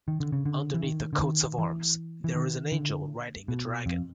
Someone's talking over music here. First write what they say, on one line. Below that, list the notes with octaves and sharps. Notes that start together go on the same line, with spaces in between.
Underneath the coats of arms, there is an angel riding a dragon.
D#3
D3
C#3
D3
E3
D#3
D3
D#3
E3
E3
D#3
D3
B2
F2